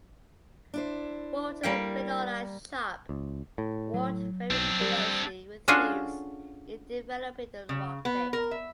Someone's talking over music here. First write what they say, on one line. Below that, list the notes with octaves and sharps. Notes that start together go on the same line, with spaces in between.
Walter Benona Sharp worked very closely with Hughes in developing the rock bit.
D4 E4 C5
G3 A#3 G5
C#2
A2
F#3
B1 C4 D4
G3
C#4 D4 F4 F#4 G#4 A4
C#3
B3
A#4
E5